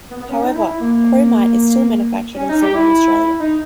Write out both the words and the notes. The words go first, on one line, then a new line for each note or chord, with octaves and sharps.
However, Promite is still manufactured and sold in Australia.
B3
B3
C#4
D#4
E4
E4
A#3
C#4
D#4
G4
E4
D#4